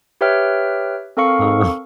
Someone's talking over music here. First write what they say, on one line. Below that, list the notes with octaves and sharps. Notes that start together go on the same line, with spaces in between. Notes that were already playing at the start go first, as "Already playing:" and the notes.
Uh, huh
G4 B4 C#5 E5 G5 F6
C4 A4 A#4 F5 C#6 C#7